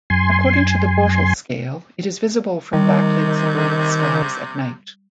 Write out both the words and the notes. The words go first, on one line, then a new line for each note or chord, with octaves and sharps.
According to the Bortle scale, it is visible from backlit suburban skies at night.
F#2 G#5 C6
C3 D#3 G3